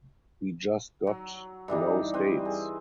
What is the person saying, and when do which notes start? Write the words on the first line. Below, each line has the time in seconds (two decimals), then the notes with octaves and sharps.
We just got those dates.
1.07 F#3
1.68 G2 E3 G3 D#4
2.14 C4 B4
2.45 G#4